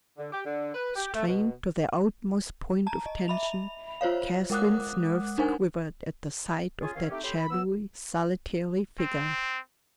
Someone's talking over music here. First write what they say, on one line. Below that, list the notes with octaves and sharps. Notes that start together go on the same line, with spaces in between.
Strained to their utmost point of tension, Catherine's nerves quivered at the sight of that shadowy solitary figure.
D3
G4
D3
B4
G4
A3
B2
A5 A#5
D#5
E5 B5 F7
F4 C5 C#5 F5
G#3 A#4 F#5 D6 D#6 F#6
D4 D#4 A#4 C5 F#5 G#5
C#4 F4 G#4
C2 D#3 C4 C#4 F5
A3 C4 D#4 G4
C#4 G4 A4 G5 B5 C6
B5
B3 E6
C4